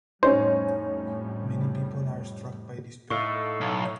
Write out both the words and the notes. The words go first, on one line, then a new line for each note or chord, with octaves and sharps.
Many people are struck by despair.
F2 A2 G3 C#4 D#4 C5 C#5
A2 D#4 A4 F5 C#6
B1